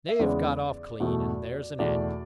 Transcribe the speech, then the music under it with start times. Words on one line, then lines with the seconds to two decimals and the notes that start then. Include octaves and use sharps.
They've got off clean, and there's an end.
0.08 E5
0.19 E2 C#3 G#3 B3 D5
1.00 E2 B2 A3
1.79 E2 B2 A3 D5